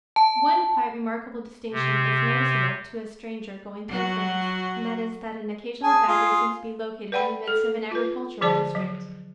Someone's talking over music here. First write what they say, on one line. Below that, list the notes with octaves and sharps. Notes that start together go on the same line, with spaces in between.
One quite remarkable distinction is noticeable to a stranger going through France and that is that an occasional factory seems to be located in the midst of an agricultural district.
A5
C3
F#3 F#4
G#4 G#5 A5
F4 G#4
B4 D5 F#5 G5 B5
A4
F4 B4
D3 F3 G#4 C5 D5 A5
F#3